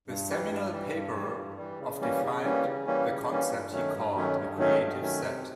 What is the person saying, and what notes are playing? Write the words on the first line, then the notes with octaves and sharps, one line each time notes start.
The seminal paper of defined the concept he called a Creative set.
G2
E3 G3
G2
E3 G3
G2
E3 G3
G2
E3 G3
C#3
E3 G3 A#3 C#4
C#3
E3 G3 A#3 C#4
C#3
E3 G3 A#3 C#4
C#3
E3 G3 A#3 C#4
G2
D#3 F#3 A3 C#4
G2
D#3 F#3 A3 C#4
G2
D#3 F#3 A3 C#4
G2
D#3 F#3 A3 C#4
C3